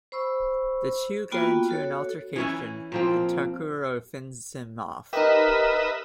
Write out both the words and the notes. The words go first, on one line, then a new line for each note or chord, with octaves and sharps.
The two get into an altercation and Takuro fends him off.
C5 B5 C#6 E6
A#3 B3 F4 F#4 G5 B5
F#4 A4 C#5
E3 C#4 E4
A#2 F3 C4
D#4 G4 A#4 B4 D#5 E5